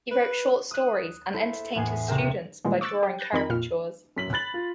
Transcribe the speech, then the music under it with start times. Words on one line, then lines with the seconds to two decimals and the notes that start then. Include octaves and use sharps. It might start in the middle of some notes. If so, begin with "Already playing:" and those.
He wrote short stories and entertained his students by drawing caricatures.
0.11 B4
0.71 D#6 F#6
1.34 E4 A4 C5
1.75 E2 A2 G#5 G#6 C7
2.07 C#2 C3 A#4 G5 E7
2.65 A#2 D#3 E3 G3 G#3
2.81 C#6 D6 E6 F#6 A6
3.03 G4
3.19 F#6 G6 A6 A#6
3.33 F2 D#3 C4 A#4 D#5 B5
3.50 F2 A#2 F6
4.16 F#2 B6 F#7
4.33 B5 F#6 A6 F#7
4.54 F4